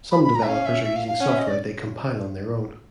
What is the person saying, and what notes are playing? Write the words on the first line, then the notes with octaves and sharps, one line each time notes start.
Some developers are using software they compile on their own.
B5
B5
A#5
E5
C#4 F5
E5
E5
F5
F5
C#4 F#5
E5
D#5
D5